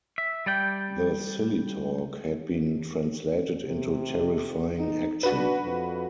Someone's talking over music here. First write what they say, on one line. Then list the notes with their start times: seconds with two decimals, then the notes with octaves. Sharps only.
The "silly talk" had been translated into terrifying action.
0.18 E5
0.46 G3 D5 G5
3.68 C3
4.79 D#4
5.23 D4 F#4 B4
5.64 F2